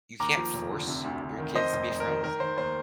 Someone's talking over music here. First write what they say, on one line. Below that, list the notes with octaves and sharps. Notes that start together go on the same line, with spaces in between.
you can't force your kids to be friends,
D#2 A#5 D6
F3
F1
D3
C3
D2
D2
D#3
F2 C5 D#5
F1
F1
A#4
D#3
D#3 A#4
D#3 C5
D#2 C5